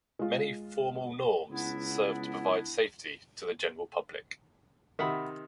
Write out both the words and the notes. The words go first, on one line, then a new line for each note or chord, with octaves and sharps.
Many formal norms serve to provide safety to the general public.
G#3 F4
C#2 B3 D4 E4
C3 D#3 E5 F#5 B5